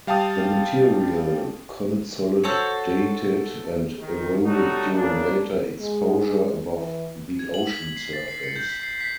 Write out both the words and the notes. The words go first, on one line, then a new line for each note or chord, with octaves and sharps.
The material consolidated and eroded during later exposure above the ocean surface.
G3 F5 G5 A5 D#6
F#4 A4 C5 C#5
D#3
F#3 G3 A3 D#4 F#4
C#3 A#3 D4
G#3
E3
G#6
F#7
B6
F#7
C7
A6
C7
C#7
G6
B6
C7
B6